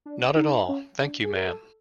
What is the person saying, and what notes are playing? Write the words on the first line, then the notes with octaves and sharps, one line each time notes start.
Not at all, thank you, ma'am.
D4
D#4
C#4
D4
G#4
A#4
A4